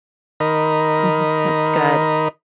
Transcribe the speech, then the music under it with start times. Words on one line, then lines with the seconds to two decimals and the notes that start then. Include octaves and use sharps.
Mhm. That's good.
0.40 D#3 A#4 D#5 B5